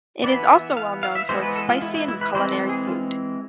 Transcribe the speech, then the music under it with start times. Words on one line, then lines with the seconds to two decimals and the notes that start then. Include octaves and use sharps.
It is also well known for its spicy and culinary food.
0.24 E3 B3 D5
0.50 E5
0.77 F5
1.03 F5
1.15 E5
1.29 E3 G#3 B3 C5
1.42 B4
1.56 A4
1.69 F4
1.82 E4
1.95 E4
2.08 E4
2.21 B4
2.34 E3 G#3 C4 C5
2.52 A4
2.69 G#4
2.87 F4